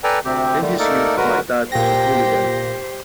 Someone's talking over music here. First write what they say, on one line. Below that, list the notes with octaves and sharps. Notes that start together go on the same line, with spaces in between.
In his youth my dad was a hooligan.
A4 B4 D5 G5 G#5 A#5
D2 C3 C4 G4
D3 D#3 G3 A3
A3 A#3 D#4 A4 A#4 D5
D3 F#3 G#3 F#4 A#4 B4
A#2 G4 C5 G5 A#6